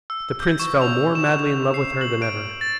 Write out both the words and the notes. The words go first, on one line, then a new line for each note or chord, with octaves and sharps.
The prince fell more madly in love with her than ever.
E6
G6
C#6
F7
E7
C7
F#7
D7
A6